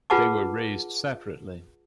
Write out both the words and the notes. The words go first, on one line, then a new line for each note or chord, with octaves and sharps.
They were raised separately.
F4 G#4 B4 F#5 A5 D6